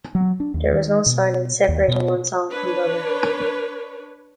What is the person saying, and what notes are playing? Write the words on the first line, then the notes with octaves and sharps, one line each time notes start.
There was no silence separating one song from the other.
F#3
D4
D#2
D#3
B2
D#2
B2
D4 B4 C#5